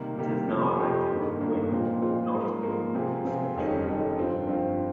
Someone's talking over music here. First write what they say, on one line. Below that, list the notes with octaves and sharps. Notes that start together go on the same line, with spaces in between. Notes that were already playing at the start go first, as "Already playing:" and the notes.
It is now a matter of when, not if, the station will reopen.
Already playing: C3 D#3 G3 A#3
C3 D#3 G3 A#3
F2 C3 F3 C4 G4
F2 C3 F3 C4 G4
G2 D#3 A#3
G2 D#3 A#3
A#2 F3 G#3 C4 F4
A#2 F3 G#3 C4 F4
G#2 F3 A#3
G#2 F3 A#3
C3 F3 C4 F4 G#4
C3 F3 C4 F4 G#4
F1 F2 D#3 G3 C#4
F1 F2 D#3 G3 C#4
G2 F3 C4 F4
G2 F3 C4 F4